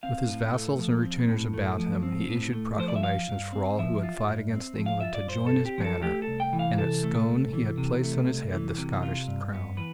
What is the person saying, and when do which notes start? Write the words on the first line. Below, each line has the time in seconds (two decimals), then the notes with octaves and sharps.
With his vassals and retainers about him, he issued proclamations for all who would fight against England to join his banner, and at Scone he had placed on his head the Scottish crown.
0.03 C4 F5
0.28 A2
0.54 A3
0.78 F3
1.03 C4
1.28 A2
1.54 A3
1.78 F3
2.03 C4
2.28 A2
2.53 A3
2.78 F3 C5
2.88 D5
2.96 E5
3.03 F4 F5
3.28 G2
3.53 C4
3.78 F3 E5
4.03 F4
4.28 G2
4.53 C4
4.78 F3
4.86 F5
5.01 F4 E5
5.14 D5
5.28 G2 C5
5.47 A4
5.53 C4
5.65 G4
5.78 F3
5.84 A4
6.02 A3 G4
6.22 A4
6.27 C2
6.40 G5
6.53 E3
6.59 F5
6.78 C3 A4
7.04 A3
7.28 C2
7.53 E3
7.78 C3
8.03 A3
8.28 C2
8.53 E3
8.78 C3
9.03 F4
9.28 G2
9.53 B3
9.77 E3 B4